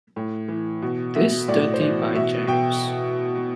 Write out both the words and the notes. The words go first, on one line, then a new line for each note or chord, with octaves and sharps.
This study by James.
A2
E3
B2
B2 E5
A2 D5
C5
E3 D5
B2 E5
B2 G5